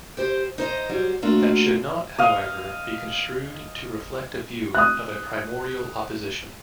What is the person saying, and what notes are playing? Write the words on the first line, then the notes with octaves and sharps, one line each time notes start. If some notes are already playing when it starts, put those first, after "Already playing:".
That should not, however, be construed to reflect a view of a primordial opposition.
G4 C5
D#4 C5 D#5
F#3 G3 C5
A3 A#3 D4 F4 F#4
D#5 F5
D#6 F#6